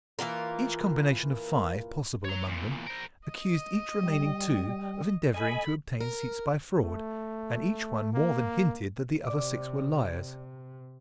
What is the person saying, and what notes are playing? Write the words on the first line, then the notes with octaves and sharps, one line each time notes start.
Each combination of five, possible among them, accused each remaining two of endeavouring to obtain seats by fraud, and each one more than hinted that the other six were liars.
E3 A#3 F4 A#4
C#5 A#5
E2 A#2
A#4 C5
D#5
G3
A4 D#5 G#5 B5
A#4
A3
A#3
C3 D5 D6